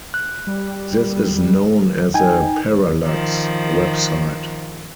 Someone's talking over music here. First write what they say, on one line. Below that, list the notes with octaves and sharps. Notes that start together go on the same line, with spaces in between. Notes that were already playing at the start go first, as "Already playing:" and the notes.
This is known as a parallax website.
F#6
G3
D#4 G5 G#5
D#3 F3